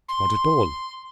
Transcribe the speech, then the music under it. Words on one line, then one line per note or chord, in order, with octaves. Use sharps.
"Not at all."
C6